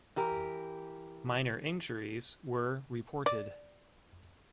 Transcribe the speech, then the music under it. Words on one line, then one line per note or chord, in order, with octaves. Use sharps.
Minor injuries were reported.
E3 G4 A#4
D5